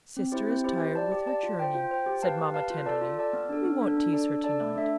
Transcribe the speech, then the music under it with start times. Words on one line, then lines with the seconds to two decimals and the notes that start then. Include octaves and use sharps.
"Sister is tired with her journey," said mamma tenderly; "we won't tease her to-night."
0.17 C4
0.32 E4 G4 C5
0.49 C4
0.64 E4 G4 C5
0.80 G4
0.95 D5 A5
1.12 G4
1.27 D5 A5
1.43 F4
1.59 C5 G5
1.75 F4
1.91 C5 G5
2.06 G4
2.23 B4 F5 A5
2.39 G4
2.54 B4 F5 A5
2.70 F4
2.86 A4 D5 A5
3.01 F4
3.18 A4 D5 A5
3.33 B3
3.49 D4 A4
3.64 B3
3.81 D4 A4
3.97 D4
4.12 A4 D5 A5
4.29 D4
4.44 A4 D5 A5
4.61 A3
4.76 D4 A4 E5